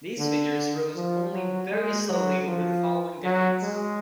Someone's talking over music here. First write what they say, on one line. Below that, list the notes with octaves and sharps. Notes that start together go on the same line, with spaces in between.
These figures rose only very slowly over the following decades.
D3
F3
F#3
G#3
F#3
F3
F#3
G#3